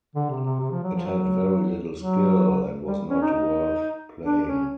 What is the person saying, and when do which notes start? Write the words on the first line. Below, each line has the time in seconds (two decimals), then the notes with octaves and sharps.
It had very little skill, and was not worth playing.
0.15 D3
0.30 C3
0.45 C3
0.60 C3
0.71 F3
0.83 F#3
0.95 F3
1.06 F#3
1.97 F#3
2.87 G3
3.10 C#4
3.22 D#4
4.24 D4
4.47 C#4